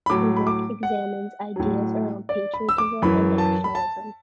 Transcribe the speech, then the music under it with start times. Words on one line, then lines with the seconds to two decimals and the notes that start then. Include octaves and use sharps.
The work examines ideas around patriotism and nationalism.
0.06 B5
0.10 A2 F#3 D6
0.37 B5
0.47 D6
0.83 F#5
1.56 A2 F#3
2.29 D5
2.54 B5
2.69 E6
2.78 D6
3.02 F#2 E3 B5
3.38 A5
3.64 B5
3.75 A5